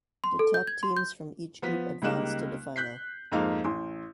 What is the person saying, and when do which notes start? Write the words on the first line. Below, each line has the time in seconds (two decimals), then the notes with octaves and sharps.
The top teams from each group advanced to the final.
0.24 C6
0.39 A4
0.54 G6
0.67 G#6
0.83 C6
0.97 G6
1.62 F3 B3 B6
2.02 C#2 G3 A#3 D#4 F#6 E7
2.76 F#6 G6 B6 C7
3.32 F2 G#2 A#3 D#4 F5
3.64 A1 C6